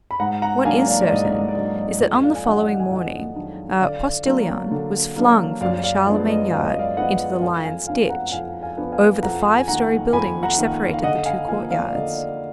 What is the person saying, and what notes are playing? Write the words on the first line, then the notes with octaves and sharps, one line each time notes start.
What is certain is, that on the following morning, a "postilion" was flung from the Charlemagne yard into the Lions' Ditch, over the five-story building which separated the two court-yards.
B5
G#2 F#5 A#5
F#5 A#5
F#3 A#3 D4 F5 G#5
D5 F5
D5
G#2 D#5
D5
D5
F#3 A#3 D4 D#5
D#5
F2 D#5
D5 F5
G#5
D#3 F#3 D4 D#5 F#5
F#5
G#5
F2 D#5 F#5
D#3 F#3 D4
D3 D5 F5
F#3 A#3 D4
D3
F#3 A#3 D4
F#2 D5 F5
D5 F5
F3 G#3 B3 D4 D5
D#5
F#2 F5
D#5
D5 F5
F3 G#3 B3 D4 D#5 F#5
F2 F5 G#5
F5 G#5
F3 B3 D4 F5 G#5
F#5 A#5
F2 F5 G#5
F5 G#5
F3 B3 D4
F5 G#5
F2 F#5 A#5
G#5
D#3 A#3 F#5 A#5
F2 G#5 B5
F#5 A#5
D#3 A#3
F5
D3 D#5 F#5
F5 G#5
F3 A#3 F5 G#5
D5 F5
D5
D3 D#5
D5